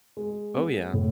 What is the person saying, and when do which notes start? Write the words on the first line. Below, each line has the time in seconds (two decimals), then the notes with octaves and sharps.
Oh yeah.
0.17 G#3
0.55 B3
0.94 A2